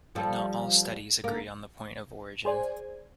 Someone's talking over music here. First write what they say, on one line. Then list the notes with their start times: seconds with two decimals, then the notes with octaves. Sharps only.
But not all studies agree on the point of origin.
0.15 F3 G3 A4
1.24 D3 A#3
2.45 G#4 C5 D5 G#5